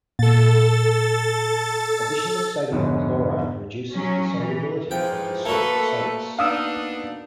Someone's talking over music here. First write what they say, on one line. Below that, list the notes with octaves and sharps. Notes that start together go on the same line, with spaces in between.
Addition of sodium chloride reduces the solubility of the soap salts.
A#2 A4 A6
F1 G#2 B2 D3 C#5
F#3 C#4
E3
G#2 E3 F3 G5
A3 A#3 F#4 A4 B4
B3 D4 D#4 F5 D#6 E6